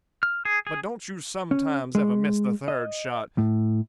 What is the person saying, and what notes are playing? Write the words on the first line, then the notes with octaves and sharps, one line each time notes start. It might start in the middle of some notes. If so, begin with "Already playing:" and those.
'But don't you sometimes ever miss the third shot?
F6
G#4
G#4
C#4
G#3
D#5
A2